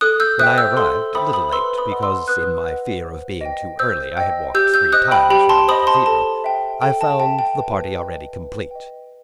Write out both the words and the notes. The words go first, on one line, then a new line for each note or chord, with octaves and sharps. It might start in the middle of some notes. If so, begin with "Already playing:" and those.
When I arrived, a little late, because in my fear of being too early I had walked three times round the cathedral, I found the party already complete.
A4 D#6 F#6
E6 G6
C5 E5 G5 D#6 F#6
E6 G6
A4 C6 E6
C5 E5 G5 B5 D#6
B5 D#6
B4 C6 E6
B5 D#6
D#5 F#5
C6 E6
B4 D#6 F#6
F#5
D#5
C5
D#5 G5
C5 E6 G6
D#5 G5
G4 E6 G6
E6 G6
C5 D#5 D#6 F#6
G5 B5
G4 G5 B5
A5 C6
C5 D#5 B5 D#6
A5 C6
A4 A5
E5 G5
A4 G5
A5
E5 G5 A5
G5
B4
D#5 G5
B4
D#5 G5